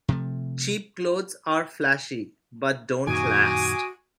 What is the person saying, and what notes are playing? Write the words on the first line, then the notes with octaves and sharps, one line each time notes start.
Cheap clothes are flashy but don't last.
C3 F3 A3
F#2 A#2 D#3 G#3 F#4 G#5 D6 D#6